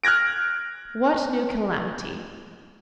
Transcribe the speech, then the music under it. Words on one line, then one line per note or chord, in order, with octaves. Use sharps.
"What new calamity?"
F6 F#6 G#6 A#6 D7